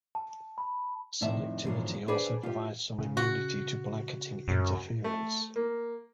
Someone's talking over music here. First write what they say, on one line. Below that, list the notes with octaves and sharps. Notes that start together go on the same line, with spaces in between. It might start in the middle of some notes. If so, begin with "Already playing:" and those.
Selectivity also provides some immunity to blanketing interference.
A5
B5
F2 A2 D#3 D5 E5 A5
E2 G#2 D3 D#3 F3 F#3
D4 G#4 B4 C5 D5
F4 G4
C#3
F#4
F#2
A3
A#3